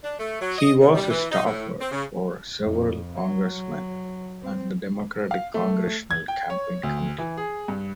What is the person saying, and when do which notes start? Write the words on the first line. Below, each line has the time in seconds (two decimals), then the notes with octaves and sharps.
He was a staffer for several congressmen and the Democratic Congressional Campaign Committee.
0.04 D4
0.19 A3
0.41 F#3
0.58 D#5
0.80 B2
0.95 G3
1.10 E3
1.32 D#4
1.45 A2
1.80 C4
1.92 C#3
2.61 F2
3.15 F#3
4.42 C4
5.31 F5
5.54 A3
6.11 G#6
6.28 G5
6.50 C#5
6.83 D2
7.18 E3
7.38 G#4
7.68 G2